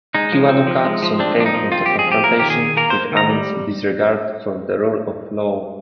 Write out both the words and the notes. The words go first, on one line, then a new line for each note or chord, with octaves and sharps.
Kiwanuka soon came into confrontation with Amin's disregard for the rule of law.
G#3 D#4
F3
C4
F3
G#3
F3
C4 D4
F3 D4
D#4
F3
C4 F4
C4 G4
G#4
F3 G4
A#3 A#4
D#3 G4
G#4
D#3
A#3 A#4
A#3 C5
D#3 A#5
G3